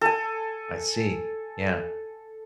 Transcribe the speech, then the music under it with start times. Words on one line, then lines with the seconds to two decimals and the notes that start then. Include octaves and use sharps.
I see. Yeah.
0.01 A4 G#5